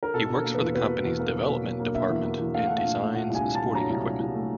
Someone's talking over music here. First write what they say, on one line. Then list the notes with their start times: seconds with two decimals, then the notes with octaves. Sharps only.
He works for the company's development department and designs sporting equipment.
0.03 A#4
0.14 B2 A4
0.30 B2 A#4
0.44 A#3
0.54 B4
0.60 E2
0.75 B2 B4
0.89 B2
1.05 E2
1.19 A#3
1.35 F#3
1.50 B2
1.64 F#3
1.80 A#3
1.95 B2 E5
2.10 E2
2.25 A#3
2.40 E2
2.54 A3 F5
2.67 A3 F#5
2.78 F5
2.85 A#2
3.00 A3
3.15 A#2 F#5
3.30 C2
3.35 G#5
3.45 A#2
3.55 A3 A5
3.75 F#3 A#5
3.90 C2
4.05 A#2
4.20 C2
4.35 A3